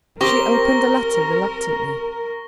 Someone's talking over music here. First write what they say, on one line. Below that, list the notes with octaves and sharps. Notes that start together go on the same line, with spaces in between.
She opened the letter reluctantly.
C4 G4 A#4 C#6 A#6 G7